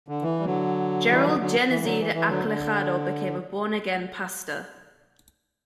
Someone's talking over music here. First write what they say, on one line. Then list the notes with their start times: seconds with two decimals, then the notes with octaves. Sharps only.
Gerald "Genezide" Acelajado became a Born-Again Pastor.
0.08 D3
0.22 E3
0.40 G3
0.45 D3 F#3
1.11 E3 G3
1.25 D3 F#3
1.40 D3 F#3
1.70 E3
1.84 D3 F#3
2.00 E3
2.14 E3
2.29 D3 F#3
2.44 D3